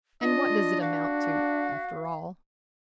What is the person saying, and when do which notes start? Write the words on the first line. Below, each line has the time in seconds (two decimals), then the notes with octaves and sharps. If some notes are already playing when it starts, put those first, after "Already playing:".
And what does it amount to, after all?
0.22 D4 F4 D#5
0.82 F#4 F5